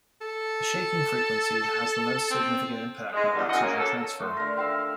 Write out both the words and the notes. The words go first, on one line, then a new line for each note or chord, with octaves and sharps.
The shaking frequency has the most significant impact on oxygen transfer.
A4
C4
G#3
E2 G2 D3 G3 B3
F#2 D#5 F#5
A#3 C#4
A4
A3 C6
D3 A#4
E5 F5 G5